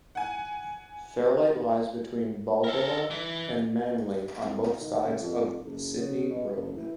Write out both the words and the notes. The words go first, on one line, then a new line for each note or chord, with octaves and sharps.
Fairlight lies between Balgowlah and Manly on both sides of Sydney Road.
F#5 G#5
A4 A#4
E3
C2
D#3
C#2
F2
F#1
C#3
B2
F#1
E3